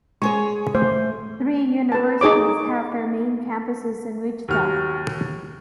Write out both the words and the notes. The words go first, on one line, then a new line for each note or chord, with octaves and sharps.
Three universities have their main campuses in Wichita.
G#3 G#4 C#5 C#6
A3 C5
B4 A5
D#4 G#4 C#5 D6
D#2 F#4 F6